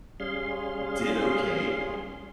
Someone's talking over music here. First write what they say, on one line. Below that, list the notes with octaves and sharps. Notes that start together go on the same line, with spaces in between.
did okay.
G3 C#4 G#4 F5 C6